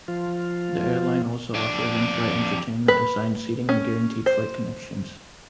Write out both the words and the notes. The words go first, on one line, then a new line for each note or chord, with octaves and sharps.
The airline also offers in-flight entertainment, assigned seating and guaranteed flight connections.
F3 F4
F2 D4
B4
C#4
C5